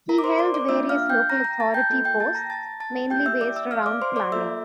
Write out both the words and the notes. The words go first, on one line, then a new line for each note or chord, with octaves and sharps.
He held various local authority posts mainly based around planning.
A#4 A#5
D6
C5 C6
D5 D6
D5 D6
A#3 D4 F4 E5 E6
F5 F6
G5 G6
A#5 A#6
A#5 A#6
A5 A6
G5 G6
A#3 F4 A4
G5 G6
A5 A6
A#5 A#6
A5 A6
A5 A6
A#3 E4 G4 G5 G6
E5 E6
D5 D6
E5 E6
F5 F6
D5 D6
C5 C6
D5 D6
A#3 F4 A4 E5 E6